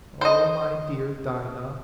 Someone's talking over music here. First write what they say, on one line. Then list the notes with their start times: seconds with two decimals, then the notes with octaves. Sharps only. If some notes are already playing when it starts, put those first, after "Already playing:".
Oh, my dear Dinah!
0.21 C5 D#5